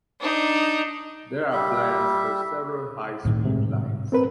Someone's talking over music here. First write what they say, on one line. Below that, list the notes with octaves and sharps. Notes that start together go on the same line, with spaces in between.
There are plans for several high-speed lines.
D4 D#4
G3 E5
A2 D#3
G#2 C3
C4 A#4 B4